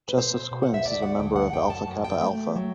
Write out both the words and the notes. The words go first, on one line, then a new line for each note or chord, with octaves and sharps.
Justice Quince is a member of Alpha Kappa Alpha.
B4
B2 C5
B2
F#5
E5
D2 D5
F#5
D2 G5
F#5
F#2 G5
A5
F#2
G5
A3
F#3